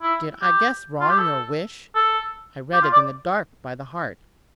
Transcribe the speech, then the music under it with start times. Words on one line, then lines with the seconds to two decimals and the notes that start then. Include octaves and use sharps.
Did I guess wrong your wish?--I read it in the dark, by the heart.
0.02 E4
0.41 G4
1.01 F4
1.10 G4
1.18 A4
1.95 A4
2.73 G4
2.82 F4
2.92 D5